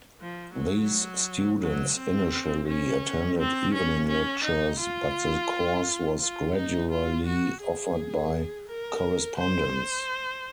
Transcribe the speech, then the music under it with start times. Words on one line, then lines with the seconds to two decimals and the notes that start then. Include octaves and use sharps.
These students initially attended evening lectures but the course was gradually offered by correspondence.
0.21 F3
0.56 F#3
1.62 F#3
1.97 C4
2.67 C#4
3.39 C4
3.74 C#4
4.08 C#4
4.44 D#4
4.80 F4
6.20 F4
6.56 D#4
6.91 F4
7.27 F#4
7.62 G#4
8.68 A#4
9.38 C5